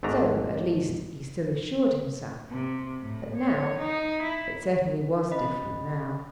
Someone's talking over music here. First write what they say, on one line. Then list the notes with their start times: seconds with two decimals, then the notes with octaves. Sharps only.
So, at least, he still assured himself. But now,--it certainly was different now.
0.03 G#1 G#2 A3 D4 A#5
2.51 C3
3.01 A2
3.36 C#5
3.79 D#4
4.22 E4
5.31 C#4 D#5 B5 B6